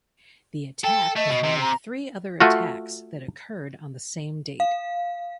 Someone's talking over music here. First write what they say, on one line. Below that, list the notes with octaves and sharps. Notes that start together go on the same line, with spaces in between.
The attack was one of three other attacks that occurred on the same date.
A4 G5
A3 D#5
B2
C3
A#5
A3 F4 F#4
F5